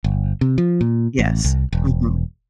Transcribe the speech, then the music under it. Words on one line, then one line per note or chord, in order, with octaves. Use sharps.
Yes, mhm.
G1
C3
F3
A#2
A1
C2
E1